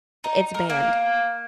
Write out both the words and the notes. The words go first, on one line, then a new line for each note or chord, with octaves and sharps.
it's banned.
D#4
A#4
A#3